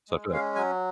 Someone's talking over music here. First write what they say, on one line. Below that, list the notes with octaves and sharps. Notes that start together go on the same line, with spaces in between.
so I feel like
G#3
C#4 F5
F#3 G#5